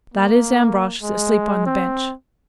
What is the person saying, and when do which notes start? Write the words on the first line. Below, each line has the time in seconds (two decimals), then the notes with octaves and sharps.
That is Ambrosch, asleep on the bench.
0.14 A#3
1.03 G#3
1.66 C4